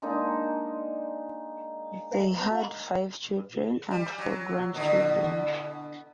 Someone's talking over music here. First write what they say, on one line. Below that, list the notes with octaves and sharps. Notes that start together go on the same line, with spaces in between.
They had five children and four grandchildren.
G#3 A#3 D4 D#4
G3
F#3
B2 D3 E4